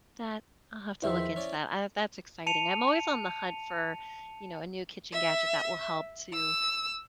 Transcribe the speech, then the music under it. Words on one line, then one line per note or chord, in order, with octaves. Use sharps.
That I'll have to look into that. I that's exciting. I'm always on the hunt for, you know, a new kitchen gadget that will help to
E2 D#3 F3 E4 C5 E5
C#4 D5
A5 C#7 D#7 F7
E5
E6